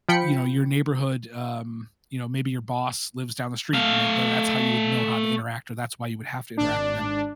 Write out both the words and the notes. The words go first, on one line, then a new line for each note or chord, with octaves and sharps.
you know, your neighborhood, um, you know, maybe your boss lives down the street and, like, that that's how you would know how to interact or that's why you would have to interact with them
F3 F4 G5 B5 C#7
A3 F5
G#1 D4